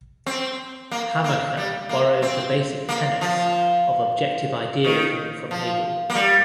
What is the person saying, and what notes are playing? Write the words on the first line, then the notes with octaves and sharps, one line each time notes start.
Hammacher borrowed the basic tenets of objective idealism from Hegel.
C4
A#3
A#3
G3
A#3
C4
A#3
F3
D#3
F3
A#3
G3